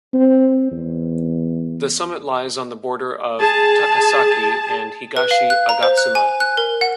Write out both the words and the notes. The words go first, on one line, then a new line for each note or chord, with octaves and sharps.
The summit lies on the border of Takasaki and Higashi Agatsuma.
C4
E2
G#4 A5
B4
F5
F#6
A#5
C5
F#6
G#5
F#6
A#4
F#5